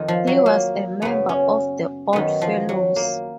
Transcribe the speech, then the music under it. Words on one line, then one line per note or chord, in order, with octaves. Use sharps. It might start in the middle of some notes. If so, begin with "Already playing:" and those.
He was a member of the Oddfellows.
Already playing: F2 D#3
F3
F#3
A#3
F#2 C#3 B3
C#4
F#2 D#3 B3
F3
F#3
A#3